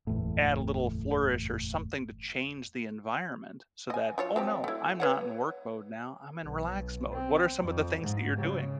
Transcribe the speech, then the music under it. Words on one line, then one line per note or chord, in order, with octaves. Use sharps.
add a little flourish or something to change the environment so that, "Oh, no, I'm not in work mode now, I'm in relax mode." What are some of the things that you're doing?
F#1 E2 A2
D#5 G#5
F#3 F4 C#5
F#3 C4 G4
A3 E4
B4 C#5 F#5
B1
C4
F2
G#2
C#3